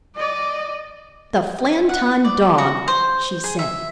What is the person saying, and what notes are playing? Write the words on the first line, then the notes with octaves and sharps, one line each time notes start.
"The Flanton Dog!" she said.
D5 D#5
F#5
D5
F#4
C5
G#4
E5